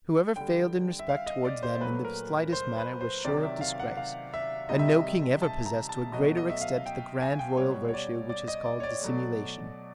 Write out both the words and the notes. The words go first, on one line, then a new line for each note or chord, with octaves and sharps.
Whoever failed in respect towards them in the slightest manner was sure of disgrace, and no king ever possessed to a greater extent the grand royal virtue which is called dissimulation.
D3 G3 G5
E5
F5
D#5
D5
C5
A#2 F#3 A3 B4
A#4
C5
B4
C5
C3 D#3 F#3 D5
E5
F5
F#5
F5
E5
C3 D#3 G3 D#5
E5
D#5
A5
A#5
A5
B2 F#3 A3 D#5
D#5
E5
F5
G5
G#5
G5
B2 G3 C#5
C#5
D5
D5
D#5
D5
C#5
D5
B2 F#3 A3